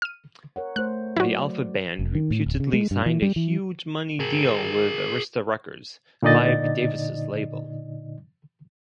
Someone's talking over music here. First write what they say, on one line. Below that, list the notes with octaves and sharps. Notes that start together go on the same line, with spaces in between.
The Alpha Band reputedly signed a huge-money deal with Arista Records, Clive Davis's label.
F6 D#7
A#4 C#5 F#5
A3 C5 F#6
F#3 E4 F#4 D5
F1
D#3
A2
D1
C#3
G#3
G2
E3
G3
E3
G#4 A#4
A#2 D3 D#4 D5 D#5 A6